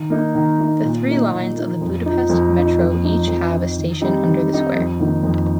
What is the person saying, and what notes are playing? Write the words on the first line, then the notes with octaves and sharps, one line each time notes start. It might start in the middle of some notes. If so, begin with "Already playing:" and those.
The three lines of the Budapest Metro each have a station under the square.
Already playing: D#3
A#3 D#4
D#3
A#3 D#4
A#2
A#3 D#4
A#2
A#3 D#4
F2
F3 D#4
F2
F3 D#4
F2
F3 D#4
F2
F3 D#4
D#3
G3 C4 D#4
D#3
G3 C4 D#4
F2
D#3 A#3 D#4
F2